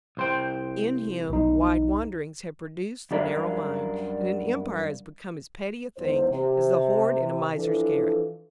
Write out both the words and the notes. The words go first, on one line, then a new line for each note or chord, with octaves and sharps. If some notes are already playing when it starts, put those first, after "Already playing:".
In him, wide wanderings have produced the narrow mind, and an Empire has become as petty a thing as the hoard in a miser's garret.
C2 C5 G5
B1 D#4
F#2 G3 D4 A#4 E5 F5
E2 G#2 C5
C3
E3 F3 D4 A4